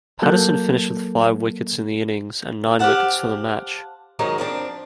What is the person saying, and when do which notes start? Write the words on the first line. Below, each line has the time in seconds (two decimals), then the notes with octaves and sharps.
Patterson finished with five wickets in the innings and nine wickets for the match.
0.22 F#3 A#3 A4 F#6 G6
2.79 G4 C5 F5 F#5 A5
4.19 D#3 F3 F#3 G#3 D#4 C5
4.38 F3 C4 D4